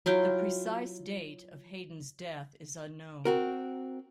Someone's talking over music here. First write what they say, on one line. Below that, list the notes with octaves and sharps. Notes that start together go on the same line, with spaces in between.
The precise date of Heydon's death is unknown.
F#3 E4 F4 G5
C4 F#4 A#4